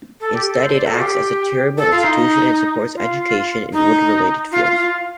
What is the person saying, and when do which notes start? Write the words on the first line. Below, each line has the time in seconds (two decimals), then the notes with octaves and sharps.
Instead, it acts as a charitable institution and supports education in wood-related fields.
0.20 A4
0.33 G4
0.47 A4
0.59 C5
0.73 D5
0.85 A4
0.94 F4
0.99 G4
1.77 A4
1.91 F4
2.03 D#4
2.95 F4
3.72 D#4
4.51 F4
4.65 F4
4.77 F4